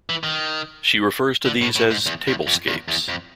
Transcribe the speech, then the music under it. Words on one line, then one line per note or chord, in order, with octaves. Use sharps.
She refers to these as "tablescapes".
E3
D#3
D3
A2
A2
G#2
E2
E2
F2
E2
E2
F2